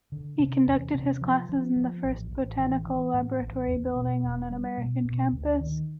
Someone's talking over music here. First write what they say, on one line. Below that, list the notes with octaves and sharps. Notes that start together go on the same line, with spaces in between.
He conducted his classes in the first botanical laboratory building on an American campus.
D3
C3
E2
C3
F3
F3
F3
A1
A1
E3
E3
A2
A1
E2
B2
E1
G3
B2
B2
D2
D#3